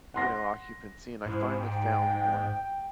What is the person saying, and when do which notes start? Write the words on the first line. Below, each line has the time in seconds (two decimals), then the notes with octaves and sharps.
you know, occupancy, and I finally found one.
0.14 F#5 C6 A#6
1.26 G#2 C#4 E4 C5
1.61 G5